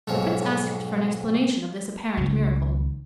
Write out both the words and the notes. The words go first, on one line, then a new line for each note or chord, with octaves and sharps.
The Prince asked for an explanation of this apparent miracle.
B1 G#2 F3 C#5
C#2 D#3